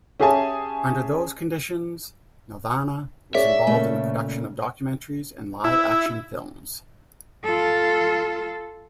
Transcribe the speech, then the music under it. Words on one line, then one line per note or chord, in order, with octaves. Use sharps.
Under those conditions, Nelvana was involved in the production of documentaries and live-action films.
C#4 G4 G#4 E5 G#5 A5
G#4 C#5 D5 E5
A#2 C#3 A3
E4
F4 A4